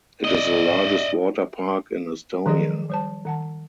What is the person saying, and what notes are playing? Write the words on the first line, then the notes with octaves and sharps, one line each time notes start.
It is the largest water park in Estonia.
D5 D#5
D#3 F3 F#3 G#4 D#5
G3 C5 A5
D#3 F#5 A5